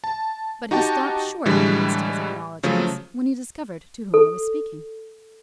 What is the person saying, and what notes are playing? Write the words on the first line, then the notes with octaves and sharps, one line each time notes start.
But he stopped short in the midst of his acknowledgments, when he discovered to whom he was speaking.
A5
D#4 F#4 G4 G5 A5
A2 D3 E3 G3 G#3
C#3 F3 F#3 A3
A4